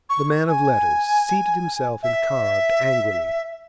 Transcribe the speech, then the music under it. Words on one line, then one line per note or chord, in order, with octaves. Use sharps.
The man of letters seated himself and carved angrily.
C#6
G#5
E5